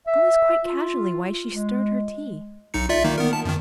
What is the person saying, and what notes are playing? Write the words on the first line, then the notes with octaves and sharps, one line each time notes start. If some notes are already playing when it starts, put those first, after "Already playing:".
All this quite casually while she stirred her tea.
E5
F4
G#3
B1 D#4 C#7
F4 D5 E5
D#3 A#3 D#4
B3 A#4
A5
F#2 D#3